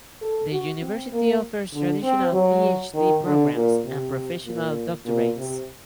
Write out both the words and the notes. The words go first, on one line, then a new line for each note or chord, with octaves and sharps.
The University offers traditional Phd programmes and Professional Doctorates.
A4
F#4
C4
A#3
D3
C4
F#3
D#3
D3
A#2
C3
A#2
A#2
C3